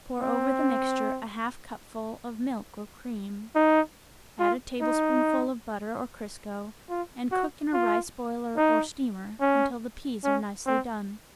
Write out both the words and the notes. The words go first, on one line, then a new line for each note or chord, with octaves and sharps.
Pour over the mixture a half cupful of milk or cream; add a tablespoonful of butter or crisco, and cook in a rice boiler or steamer until the peas are nicely done.
C4
D#4
F4
D#4
F4
F#4
F4
D#4
C#4
C#4
C4